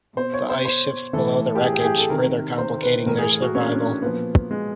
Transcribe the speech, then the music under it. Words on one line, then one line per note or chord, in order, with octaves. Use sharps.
The ice shifts below the wreckage, further complicating their survival.
B2 C5
C#5
C5
C5
A2 E3 A4
G4
G#4
G4
G#4
G4
A4
C3 D#3 A#4
C5
B4
A2 E3 A#4
G#4
G#4
F#4
C#4
D4
C#4
A#2 F3 B3
G#3